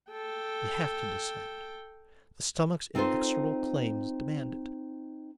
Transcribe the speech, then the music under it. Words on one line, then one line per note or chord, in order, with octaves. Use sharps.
We have to descend; the stomach's inexorable claims demand it.
A4 G5
C4 D#4 F4 A4 C5